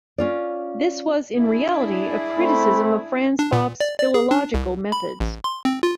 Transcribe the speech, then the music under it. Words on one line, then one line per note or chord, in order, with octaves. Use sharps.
This was in reality a criticism of Franz Bopp's philological methods.
C#4 F4 D5
D4 E4 G#4
A3 C4 B5
D4
A#2
D5
D5
G#4
D4
C2
B5
A1
C6
C4
F4